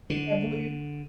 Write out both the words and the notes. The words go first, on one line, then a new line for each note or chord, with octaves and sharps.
I believe.
D3